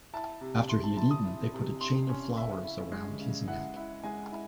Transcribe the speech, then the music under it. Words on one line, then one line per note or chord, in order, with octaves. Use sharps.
After he had eaten, they put a chain of flowers around his neck.
E4 A5
C3
E4 C6
A5
E4 A5
D#6
E4
C3
C3 C6
C#4
C#3 E5
E4
G#3
C#3
E4 F#5
E4
G#3 G#5
E4